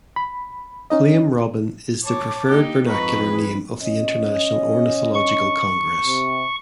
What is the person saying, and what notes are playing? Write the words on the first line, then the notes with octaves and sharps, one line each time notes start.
"Flame Robin" is the preferred vernacular name of the International Ornithological Congress.
B5
C#4 D#4 D#5
C#5 A5 D6
A#3 D#4 G4
F2 G#2 B4 D#5 A#5 C#6
E3 G#4
C#4 D#5
C#6
C3